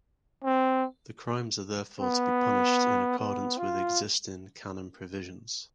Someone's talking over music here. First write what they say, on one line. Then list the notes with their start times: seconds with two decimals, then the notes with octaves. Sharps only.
The crimes are therefore to be punished in accordance with existing canon provisions.
0.44 C4
2.01 B3
3.19 B3
3.58 F4